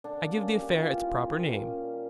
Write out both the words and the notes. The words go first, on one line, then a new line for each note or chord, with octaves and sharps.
I give the affair its proper name.
D3 D4
A#3
C#4
G3
G4
E3 F4
C#4
E3
A#3
A#2
A#3
C#4
G3